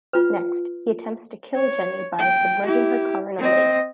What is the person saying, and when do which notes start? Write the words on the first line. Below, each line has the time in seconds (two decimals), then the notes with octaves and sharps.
Next, he attempts to kill Jenny by submerging her car in a lake.
0.13 F4 B4
1.55 C#5
2.19 G5
2.66 E4 G4
3.39 C4 D#5